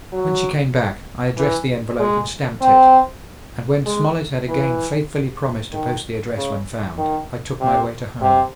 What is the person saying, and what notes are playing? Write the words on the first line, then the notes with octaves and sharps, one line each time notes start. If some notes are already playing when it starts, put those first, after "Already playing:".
When she came back, I addressed the envelope and stamped it, and when Smollet had again faithfully promised to post the address when found, I took my way to home.
F#3
E3
G#3
C4
G#3
E3
D#3
C#3
D#3
C3
C3